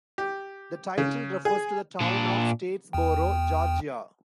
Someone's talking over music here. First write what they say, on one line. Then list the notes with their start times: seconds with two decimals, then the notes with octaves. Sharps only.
The title refers to the town of Statesboro, Georgia.
0.18 G4
0.98 C#3
1.45 G#4
2.01 A#2 D4
2.93 E2 G5